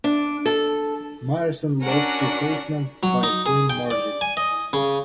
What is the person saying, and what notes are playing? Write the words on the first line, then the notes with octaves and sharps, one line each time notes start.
Myerson lost to Holtzman by a slim margin.
D4
A4
C#4 D4 F#4 A#4 F#5
F#3
D#4
G#4
G5
D5
G#5
D#5
C#3